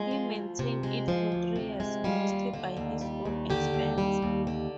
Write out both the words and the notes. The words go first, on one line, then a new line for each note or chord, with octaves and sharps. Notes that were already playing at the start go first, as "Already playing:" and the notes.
He maintained it for three years, mostly by his own expense.
Already playing: G#3 F4
F3
D2
C3
G#3
F3
D2
C3
G#3
G3 F4
D#2
D3
D#2
G3
D#2
D3 G4
D#2
G3
D#2
D3